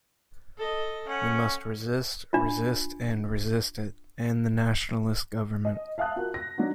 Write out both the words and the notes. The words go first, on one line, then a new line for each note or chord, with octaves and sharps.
We must resist, resist, and resist it - and the Nationalist Government.
A4 D#5
C#4 F#5
D4 F4
D#5
E5 F5 A5 D#6 F#6
F4 F#4 A#4
A#6
F#3 D4 D#4 F#4